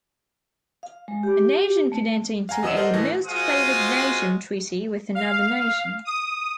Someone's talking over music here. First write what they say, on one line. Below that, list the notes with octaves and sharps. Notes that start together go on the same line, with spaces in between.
A nation could enter into a "most favored nation" treaty with another nation.
F5
G#3
G4
A3
F5 F#5 G#5 A#5
E2 D#5 F#5 D#6 E6 E7
A4 A#4 C5 D5 D#5 F#5
A2 E3 A3 A#6
G#3 F4 F#4 C5 F5 D#6
F5
D#6